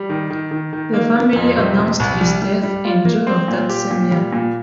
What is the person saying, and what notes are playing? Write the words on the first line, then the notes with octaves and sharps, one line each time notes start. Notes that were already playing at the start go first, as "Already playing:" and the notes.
The family announced his death in June of that same year.
Already playing: G3
D#3
D#3
D#3
D#3
A#3
A#3
F2
C3
C3
C2
G3
G3
G3
F4
A#3
C4
A#2
G4
A#2
G3
A#2